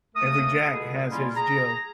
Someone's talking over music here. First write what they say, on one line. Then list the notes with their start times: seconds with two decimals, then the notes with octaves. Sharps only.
Every Jack has his Jill.
0.15 D#2 A3 A#4 D#6
0.70 C#2 B2 D3 G#4
1.10 G3 A#3 C#4 E4 F4
1.35 G#4 A#5